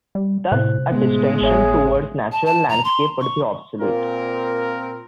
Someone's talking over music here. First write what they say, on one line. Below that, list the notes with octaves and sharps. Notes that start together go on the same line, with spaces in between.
Thus, a distinction towards natural landscape would be obsolete.
G3
A2 C3 C5 F#6
A2 G#3 B3
G#1 G#4 C#5 E5
A5
A5
A#5
C6
C#6
A#2 C4 A#4